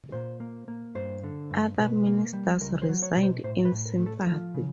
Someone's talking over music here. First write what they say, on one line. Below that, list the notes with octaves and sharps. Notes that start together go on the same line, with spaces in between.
Other ministers resigned in sympathy.
A#2 C5
A#3
A#3
G2 C5
D3
G2
B2 B4
A#3
G3
C#2 A#4
C5
F#3
C#5
B2
C5
A2 C5
B4
A2
A#4
A3
A4
F3 F4
C#3